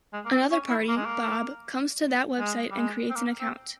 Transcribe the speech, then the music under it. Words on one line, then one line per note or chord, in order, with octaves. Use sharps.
Another party, Bob, comes to that website and creates an account.
G#3
A#3
C4
C#4
E4
A#3
G#3
A#3
G#3
G3
G#3
C4
A#3
C4